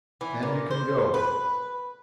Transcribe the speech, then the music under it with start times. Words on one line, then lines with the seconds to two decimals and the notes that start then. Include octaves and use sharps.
Then you can go.
0.21 E3
0.43 A#2
0.70 C5
1.14 B4